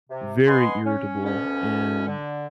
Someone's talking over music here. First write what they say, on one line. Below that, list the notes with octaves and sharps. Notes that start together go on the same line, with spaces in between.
very irritable, and,
C3
B4 D#5 F#5 G#5 C6
C#4
D2 B2 C#4
D3